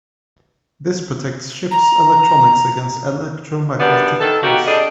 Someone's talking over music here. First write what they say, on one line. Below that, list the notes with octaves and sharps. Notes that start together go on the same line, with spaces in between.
This protects ship's electronics against electromagnetic pulse.
A#5
F#2 G3 B3 D4
D#3 A4
A#3 B3 D#4 F#4 G4
F2 G3 D4 G#4 A4 D#5